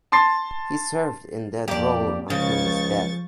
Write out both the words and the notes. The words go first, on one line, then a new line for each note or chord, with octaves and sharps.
He served in that role until his death.
A5 C6 A6 C7
F2 A#3 G4 D5
C#2 C#3 F3 C#6 A6